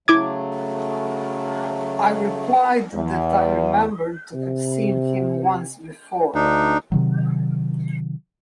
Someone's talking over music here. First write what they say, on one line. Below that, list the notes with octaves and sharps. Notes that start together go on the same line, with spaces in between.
I replied that I remembered to have seen him once before.
C#3 F#3 A3 E4 D6 G#6
E2
C3
D2 D4 D#4
C3 D#3 F#3